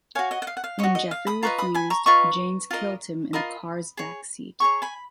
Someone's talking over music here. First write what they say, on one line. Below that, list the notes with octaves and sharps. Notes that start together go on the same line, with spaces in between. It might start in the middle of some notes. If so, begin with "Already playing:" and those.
When Jeffrey refused, Jaynes killed him in the car's backseat.
F#4 C#5 F5 G#5
D#5 F#5
F#5
F5
F#5
F5
F#4 C#5 D#5
D#5
F5
B5 D#6
F4 B4 D#5 A#5 C#6
B5 D#6
G#5 B5
A#5 C#6
F4 B4 D#5 A#5 C#6
F4 A#4 D#5
F4 A#4 D#5 B5 D#6
G#4 C#5
G#4 C#5 A#5 C#6
G#5 B5